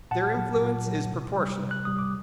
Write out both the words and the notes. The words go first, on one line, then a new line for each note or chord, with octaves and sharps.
Their influence is proportionate.
A#2 F#5 A5
F#3
A#2
F#3
C3
G3
C3
F#6
G3 D#6
D6